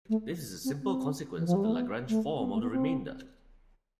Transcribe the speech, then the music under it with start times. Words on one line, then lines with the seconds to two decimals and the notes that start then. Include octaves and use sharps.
This is a simple consequence of the Lagrange form of the remainder.
0.09 A3
0.64 C4
0.83 C4
1.37 E3
1.47 F3
1.55 G3
1.64 A3
1.73 B3
2.08 A3
2.39 C4
2.45 B3
2.54 A3
2.63 B3
2.72 C4